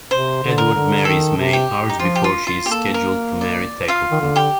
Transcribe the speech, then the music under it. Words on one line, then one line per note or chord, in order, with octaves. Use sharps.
Edward marries May hours before she is scheduled to marry Tackleton.
C3 C5
D3
A#4
D3
D#3 A4
C3
G4
D#4
F3 F4
G4
F4
F4
A#3 G4
A4
A#4
D5
F4 F5
D#3
D3
G4 G5